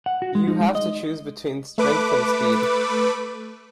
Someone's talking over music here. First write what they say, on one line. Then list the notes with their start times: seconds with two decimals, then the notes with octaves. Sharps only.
You have to choose between strength and speed.
0.06 F#5
0.22 F#4
0.35 G#3
0.48 D#4
0.60 G#3
0.75 D#5
1.78 A3 B4 D6